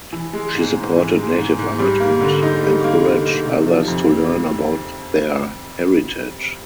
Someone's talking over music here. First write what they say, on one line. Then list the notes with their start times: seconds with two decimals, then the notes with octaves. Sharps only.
She supported native art and encouraged others to learn about their heritage.
0.13 E3
0.33 G#3
0.55 G#2
0.75 G#2
0.96 E3
1.17 G#3
1.38 G#2
1.59 G#2
1.79 G3
2.00 A#3
2.21 D3
2.43 D#4
2.63 G3
2.84 A#3
3.04 D3
3.25 D#4
3.46 C3
3.67 F3
3.88 F2